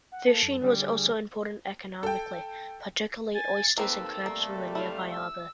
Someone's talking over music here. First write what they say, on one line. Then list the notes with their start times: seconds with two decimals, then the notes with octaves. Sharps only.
Fishing was also important economically; particularly oysters and crabs from the nearby harbour.
0.12 F#5
0.28 A#3 A4
0.43 F#2
0.62 D3 G3 C#4 G4
0.80 G#4
2.03 A4 G5
3.35 G#5 A6
3.77 D#2 A#3 C4 A4 B4 E6
4.26 C3 G3 A3 A#3
4.75 E4 F5
5.11 E6